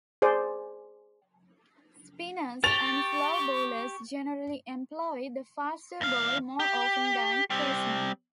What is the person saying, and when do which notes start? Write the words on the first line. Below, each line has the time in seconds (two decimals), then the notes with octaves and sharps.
Spinners and slow bowlers generally employ the faster ball more often than pacemen.
0.22 G#4 C5 D5
2.64 G4 C#6 A6 F7
6.01 E2 F5
6.60 G4
7.50 G3 C4